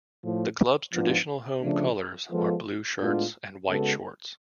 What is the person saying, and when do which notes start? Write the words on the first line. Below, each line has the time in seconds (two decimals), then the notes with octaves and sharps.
The club's traditional home colours are blue shirts and white shorts.
0.23 A2 F3 A3
0.93 G#2 F3 B3 D4 F4
1.61 C#3 F3 A3 D4
2.31 F3 G#3 B3 F4 A4
3.00 A2 G#3 B3 D4 F4
3.69 C#3 G#3 B3 F#4 A4